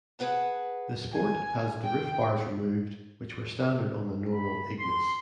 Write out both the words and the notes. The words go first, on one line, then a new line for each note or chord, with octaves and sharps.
The Sport has the roof bars removed which were standard on the normal Ignis.
G#4 A#4 B4 F#5 A5
G#5
G5
B5
C6